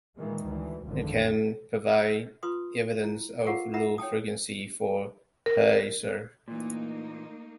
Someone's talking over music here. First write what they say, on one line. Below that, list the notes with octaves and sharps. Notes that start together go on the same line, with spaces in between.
It can provide evidence of rule frequency for a parser.
A#2 D#3 E3 G#3
D2 E3
G#1 F2 D3
F4 B4 C6 D#6
E4
F4 G4 G#4 A#4 F5 F#5
D#4 E4 A#4 E5 F#5 B5
C#5 G5 A5 D#6
A#4
A#2 E3 A3 A#3 D#4